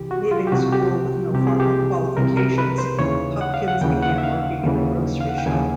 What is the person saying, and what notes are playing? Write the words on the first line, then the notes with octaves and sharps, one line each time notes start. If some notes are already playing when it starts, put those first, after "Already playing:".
Leaving school with no formal qualifications, Hopkins began working in a grocery shop.
Already playing: C2 C3 E3 G4
F#4
F4
G4
C2 C3 E3 F#4
G4
C2 C3 E3 G4
G#4
G4
C2 C3 E3 A#4
A#4
B4
C5
D#2 C#3 E3 C#5
F#5
F5
F#5
D#2 C#3 E3 G5
F#5
E5
F5
D#2 C#3 E3
F5
F#5
G5
D#2 C#3 E3 G#5